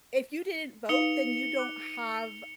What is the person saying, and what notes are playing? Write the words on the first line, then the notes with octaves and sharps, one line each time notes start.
If you didn't vote, then you don't have"
D#4 B4 F5 C#7 F7 G7
D6 F#6